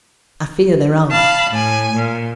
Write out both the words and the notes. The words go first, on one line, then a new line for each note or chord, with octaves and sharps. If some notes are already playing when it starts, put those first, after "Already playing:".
I fear there are.
F5 A5 B5
A2 G#5
A#2